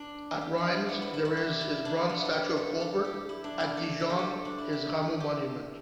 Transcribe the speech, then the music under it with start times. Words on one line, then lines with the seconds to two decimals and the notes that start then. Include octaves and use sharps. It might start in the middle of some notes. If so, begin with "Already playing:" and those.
At Reims there is his bronze statue of "Colbert", at Dijon his "Rameau" monument.
Already playing: D4
0.41 G4
0.58 E4
0.73 D4
0.89 B3
1.02 E4
1.14 E4
1.25 E4
1.37 G4
1.61 E4
1.85 D4
2.09 B3
2.25 A4
2.32 G4
2.56 A4
2.80 A4
3.05 G4
3.29 E4
3.44 D4
3.60 E4
3.77 A4
4.00 A4
4.10 G4
4.19 A4
4.45 D4
4.58 E4
4.73 G4
5.20 G4